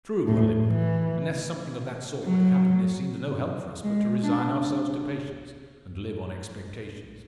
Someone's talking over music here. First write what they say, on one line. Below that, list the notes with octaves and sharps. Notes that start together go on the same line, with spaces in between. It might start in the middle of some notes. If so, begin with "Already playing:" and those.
"True, Olympe; unless something of that sort were to happen, there seems no help for us but to resign ourselves to patience, and live on expectations."
A2
E3
F#3
G#3
D4